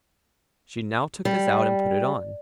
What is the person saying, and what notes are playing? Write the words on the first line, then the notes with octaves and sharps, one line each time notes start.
She now took this out and put it on.
G3